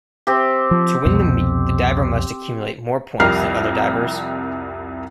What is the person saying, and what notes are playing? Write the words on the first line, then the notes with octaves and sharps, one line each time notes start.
To win the meet the diver must accumulate more points than other divers.
C4 G4
F3
C2 F2 B2
C2 F2 G3 A#4 F6 C7